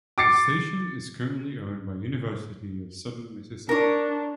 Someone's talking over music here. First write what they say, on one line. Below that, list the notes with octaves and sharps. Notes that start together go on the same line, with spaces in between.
The station is currently owned by University of Southern Mississippi.
D6 A6 C7 C#7
D4 A#4 C#5